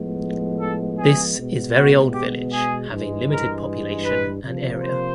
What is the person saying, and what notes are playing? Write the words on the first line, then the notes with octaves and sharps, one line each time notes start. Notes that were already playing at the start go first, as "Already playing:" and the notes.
This is very old village having limited population and area.
Already playing: A2 F3 G#3 B3
A4
G#4
B2 G#3 B3
F#4
G4
G#4
G2 E3 G#3
A#4
B4
C3 F3 A#3
C5